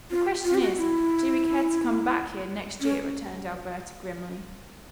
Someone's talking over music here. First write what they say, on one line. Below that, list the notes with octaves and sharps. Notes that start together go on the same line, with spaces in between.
"The question is, do we care to come back here next year?" returned Alberta grimly.
F4
F4
G4
F#4
E4
C#4